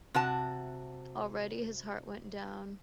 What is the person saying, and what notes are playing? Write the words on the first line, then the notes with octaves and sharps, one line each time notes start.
Already his heart went down.
C3 F#4 A5